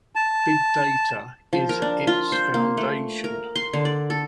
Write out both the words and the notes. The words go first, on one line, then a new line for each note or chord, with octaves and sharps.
Big data is its foundation.
A5
F3
A#4
D4
F4
C5
A#3
A3
A#4
C6
D3
D5
A4